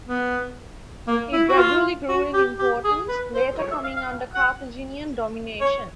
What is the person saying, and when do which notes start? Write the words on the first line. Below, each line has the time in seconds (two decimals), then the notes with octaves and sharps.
It gradually grew in importance, later coming under Carthaginian domination.
0.07 B3
1.08 A#3
1.33 E4
1.49 F#4
1.58 F4
2.09 F#4
2.34 G4
2.59 G4
2.85 G#4
3.09 B4
3.35 C5
3.59 C#5
3.71 E5
3.84 F5
3.97 F5
4.35 F#5
5.61 C#5